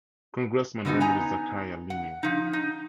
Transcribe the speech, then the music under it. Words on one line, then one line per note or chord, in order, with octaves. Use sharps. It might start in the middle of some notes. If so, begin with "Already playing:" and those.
Congressman Romulus Zachariah Linney.
D3 G#3 B3 C#4 D#4 F#4
B3 D#4 G#5 A#5
F#5
F3 D#4
D#4